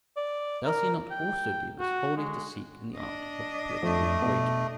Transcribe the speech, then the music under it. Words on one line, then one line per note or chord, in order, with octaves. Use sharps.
Does he not also leave us wholly to seek in the art of political wagering?
D5
A#4
G5
F#4
G#3
D4 D#5
F2 A3
B2